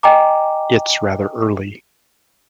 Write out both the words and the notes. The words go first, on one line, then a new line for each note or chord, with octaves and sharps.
It’s rather early.
D#5 G5 G#5 A#5 D6